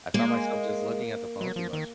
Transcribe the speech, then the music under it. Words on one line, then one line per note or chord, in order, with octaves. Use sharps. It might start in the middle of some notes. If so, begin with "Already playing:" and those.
I found myself just looking at the phone too much,
G#3 A#3
F#3
F3
D#3